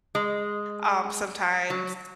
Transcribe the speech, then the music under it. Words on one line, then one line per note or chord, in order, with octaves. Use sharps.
um, sometimes
G#3
F#3